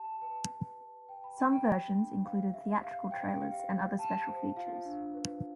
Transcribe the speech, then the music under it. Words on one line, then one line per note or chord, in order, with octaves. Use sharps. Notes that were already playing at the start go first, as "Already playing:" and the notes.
Some versions included theatrical trailers and other special features.
Already playing: G4 A5
B4 A5
B4
B4
B4 G5
B5
G4 G5
G5
G4
D4
C5 F5
G4 E5
G4 F5
C5 G5
G4 F5
G4
G4 A5
C5
F4 F5
D4
B4